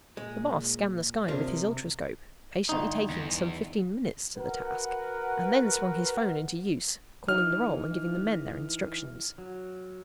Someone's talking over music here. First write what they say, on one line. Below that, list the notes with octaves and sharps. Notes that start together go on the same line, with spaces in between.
The Boss scanned the sky with his ultroscope, patiently taking some fifteen minutes to the task, and then swung his phone into use, calling the roll and giving the men their instructions.
A#2 G#3
C3 F3 A#3 D4
G1 D#4
E2
F#4 A#4 B4 F#5
E3 D#4 F6
F#3